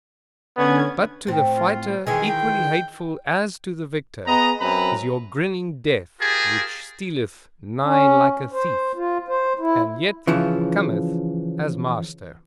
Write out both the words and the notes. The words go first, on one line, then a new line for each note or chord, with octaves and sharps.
But to the fighter equally hateful as to the victor, is your grinning death which stealeth nigh like a thief,--and yet cometh as master.
D3 B3 C#4 G#6
A2 C4
F4
D#3 E3 G#3 G#5
G5
B3 G#4 D#5 A#5
F#2 C4 B4 A#5 B5
F4 G4 G#4 A#4 A5
C#4
C5
F4
C5
E4
C#3 E3 F3